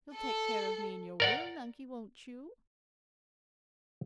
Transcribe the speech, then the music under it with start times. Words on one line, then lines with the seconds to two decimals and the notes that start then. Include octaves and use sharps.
You'll take care of me in your will, Nunkie, won't you?
0.14 A4
1.20 A#4 D5 F#5